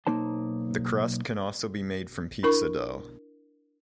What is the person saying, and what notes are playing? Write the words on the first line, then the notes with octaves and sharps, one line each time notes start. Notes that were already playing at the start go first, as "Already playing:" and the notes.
The crust can also be made from pizza dough.
B1 G2 A#3 D#4 C5 A5
D4 E4 A#4 C#6